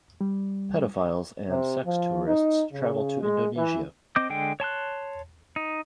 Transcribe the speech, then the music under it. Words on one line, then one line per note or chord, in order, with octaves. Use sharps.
Pedophiles and sex tourists travel to Indonesia.
G3
C3
F3
D#4
C#3
G#3
E3
C4 D#5 D6 G6
D3 G#3 G5
C#5 A5 C6 F#6
D#4